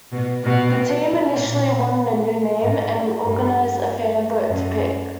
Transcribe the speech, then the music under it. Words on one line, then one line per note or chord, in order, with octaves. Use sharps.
The team initially wanted a new name, and organized a fan vote to pick.
B2
B2
A#2
G#2
G2
F#2